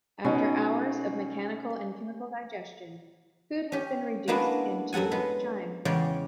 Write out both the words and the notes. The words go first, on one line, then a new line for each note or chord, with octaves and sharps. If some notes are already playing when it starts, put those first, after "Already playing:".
After hours of mechanical and chemical digestion, food has been reduced into chyme.
B2 C#4 D#4
C#4 G4
G#3 A#3 B3 D4 E4 F#4
F#2 F#3 A4 F#5 G#5
G#3 B3
E2 C#3 G#3 C#5 D5 G5